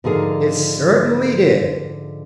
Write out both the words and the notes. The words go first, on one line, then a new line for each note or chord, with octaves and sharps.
It certainly did.
G#2 D3 F3 G#4 A#4